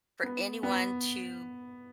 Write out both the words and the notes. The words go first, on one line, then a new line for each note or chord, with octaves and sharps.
for anyone to
B3
B3